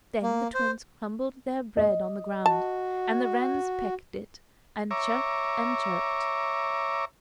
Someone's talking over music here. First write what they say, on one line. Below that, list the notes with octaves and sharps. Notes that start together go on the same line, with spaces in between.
Then the twins crumbled their bread on the ground, and the wrens pecked it, and chirruped and chirped.
A#3
C5
D#5
F#4 A5
C#5 E5 A#5 D6